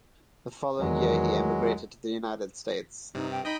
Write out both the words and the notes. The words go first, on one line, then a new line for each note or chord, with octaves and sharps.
The following year he emigrated to the United States.
E2 D#3 F#3 G#3
G2 C3 D#4
G5
D#4 D#5 G5 B5